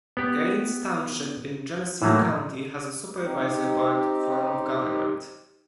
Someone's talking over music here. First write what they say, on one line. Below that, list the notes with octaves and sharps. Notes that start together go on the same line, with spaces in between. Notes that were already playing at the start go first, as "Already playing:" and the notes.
Gaines Township in Genesee County has a Supervisor-Board form of government.
B3 G4
A2 E3 F#3 A3 A#3
C4 D#4 G4